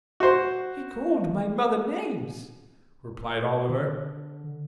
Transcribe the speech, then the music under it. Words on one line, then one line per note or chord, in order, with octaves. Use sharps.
'He called my mother names,' replied Oliver.
F#4 C5
D3